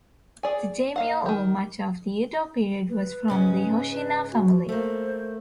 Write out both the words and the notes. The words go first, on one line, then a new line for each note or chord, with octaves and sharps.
The daimyo over much of the Edo period was from the Hoshina family.
G#4 D5 G#5
A#3 F5 F#5
D#3 G4
B4
G#2 C#3 C#4
B4
F#4
A3 A#3 C5